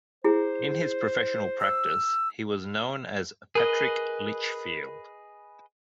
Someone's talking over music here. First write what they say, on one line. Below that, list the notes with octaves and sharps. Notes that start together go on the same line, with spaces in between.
In his professional practice he was known as Patrick Lichfield.
E4 G#4 C5
E6
G#4 A#4 B4 D#5